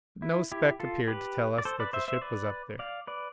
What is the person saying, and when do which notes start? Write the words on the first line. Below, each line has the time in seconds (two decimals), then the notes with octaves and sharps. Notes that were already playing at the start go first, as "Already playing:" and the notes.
But no speck appeared to tell us that the ship was up there.
0.22 E4
0.52 E4 G4
0.80 F4 A4
1.08 G4 B4
1.58 D5
1.65 A4 C5
1.80 B4 D5
1.93 C5 E5
2.08 C5 E5
2.22 B4 D5
2.79 D5 F5
3.07 B4 D5